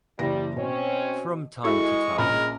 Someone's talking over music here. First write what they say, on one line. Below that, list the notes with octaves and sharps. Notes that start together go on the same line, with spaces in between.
From time to time.
F#1 E3 G3 A#6
B2 C4 C#4
G#3 E4 F#4 A4 C#6
A#1 C#4 A#4 B5